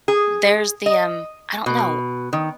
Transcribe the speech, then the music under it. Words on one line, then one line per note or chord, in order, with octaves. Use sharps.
there's the, um, I don't know.
G#4
D#5
B2
D#3